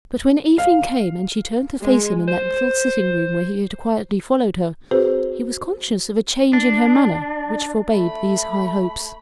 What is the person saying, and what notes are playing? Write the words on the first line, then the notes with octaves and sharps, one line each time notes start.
But when evening came and she turned to face him in that little sitting-room where he had quietly followed her, he was conscious of a change in her manner which forbade these high hopes.
F5
G#3
C5
C4 F#4 G#4 B4 C5
D4
A3 B5